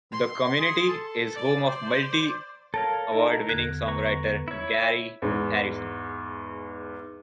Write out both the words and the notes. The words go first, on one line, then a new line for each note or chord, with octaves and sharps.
The community is home of multi-award winning songwriter Gary Harrison.
C6
G#4
A4
D5
C5 D5
A4 A#4 C#5 F5 A5
D#4 A4 A#4 D#5
E2 D3 F#6 G#6
B4 A#5 C#6
E4 C#5
E2 G#2